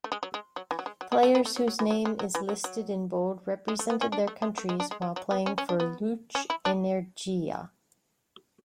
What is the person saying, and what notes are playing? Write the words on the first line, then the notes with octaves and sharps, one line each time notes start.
Players whose name is listed in bold represented their countries while playing for Luch-Energiya.
A3
G#3
F#3
G#3
F#3
E3
F#3
G#3
F#3
G#3
A3
B3
A3
F#3
F#3
E3
F#3
G#3
F#3
E3
F#3
F#3
G#3
A3
B3
C#4
D4
A3
G#3
A3
G#3
D4
G#3
F#3
F#3
B3
C#4
C#4
D4
B3
C#4
E4
D4